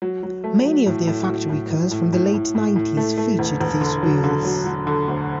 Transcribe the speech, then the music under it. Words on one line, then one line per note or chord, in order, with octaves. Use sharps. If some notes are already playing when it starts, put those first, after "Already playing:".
Many of their factory cars from the late nineties featured these wheels.
F#3
F#3
A3
F#3
A2
A2
F#3
A2
A2
A2
A2
A2
A2
A2
A3
A3
E1
E1
D3
F#3
D3
F#3
F#3
D3
D2